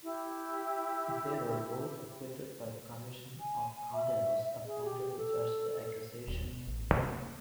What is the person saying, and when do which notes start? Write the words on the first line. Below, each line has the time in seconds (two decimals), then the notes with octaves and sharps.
They were both acquitted by the Commission of Cardinals appointed to judge the accusations.
0.03 E4 G4
3.40 G#5
3.93 E5
4.66 G#4
4.85 G4
5.17 A4
6.28 D#1
6.45 B2
6.67 A1
6.94 C3
7.13 A#3